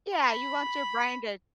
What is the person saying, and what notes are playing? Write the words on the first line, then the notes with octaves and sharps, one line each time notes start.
Yeah, you want your brain to
B5